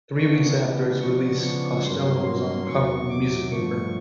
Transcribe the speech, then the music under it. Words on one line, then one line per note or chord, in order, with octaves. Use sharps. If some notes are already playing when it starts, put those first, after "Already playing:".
Three weeks after its release, Costello was on the cover of a music paper.
C#3 E3 G#3 B3 D4 C#6
C#3 F3 G#3 B3 D4 C#6
C#6
G2 D#3 F#3 A#3 C#4 C6
C6
E2 C3 D#3 F#3 C#6
D6
G2 D3 F3 A3 C#6